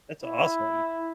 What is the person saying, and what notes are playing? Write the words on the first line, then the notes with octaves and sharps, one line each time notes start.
That's awesome.
E4